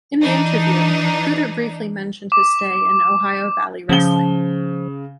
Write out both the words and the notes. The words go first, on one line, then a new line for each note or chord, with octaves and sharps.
In the interview, Puder briefly mentioned his stay in Ohio Valley Wrestling.
E3 D4 D#4
D6
C#3 F3 G7